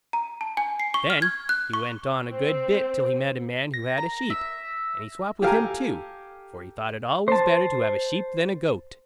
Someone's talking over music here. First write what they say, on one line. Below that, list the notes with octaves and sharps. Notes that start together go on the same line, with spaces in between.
Then he went on a good bit till he met a man who had a sheep, and he swopped with him too, for he thought it always better to have a sheep than a goat.
A#5
A5
G#5
C7
C#6
F6
G#6
F#6
C#6
C4 C5
A#6
A#5
E5
G4 A4 F5 G5 G#5 A#5
C5 A5